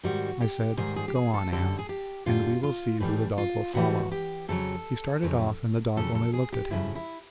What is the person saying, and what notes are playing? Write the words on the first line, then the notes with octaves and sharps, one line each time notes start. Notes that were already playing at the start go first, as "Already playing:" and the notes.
I said, "Go on Am, and we will see who the dog will follow." He started off and the dog only looked at him.
G#2 D#3 G3 F#4
G4
G#2 D#3 G3 G#4
G#4
G4
G#4
A4
F#2 D3 G3 A4
G#4
G4
F#2 D3 G3 F4
F4
A2 E3 G3
F4
A2 E3 G3 F#4
G4
F2 C#3 F#3 A4
F2 C#3 F#3
F2 C#3 F#3 A4
A4
G#4
G4
F2 C#3 F#3 E4
E4